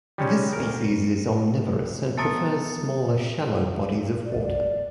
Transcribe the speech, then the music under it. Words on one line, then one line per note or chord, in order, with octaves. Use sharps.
This species is omnivorous and prefers smaller shallow bodies of water.
G3 G#3 C#4 D#4
D2 A#4
B3 A5 A#5 D#6 A6 C#7
D5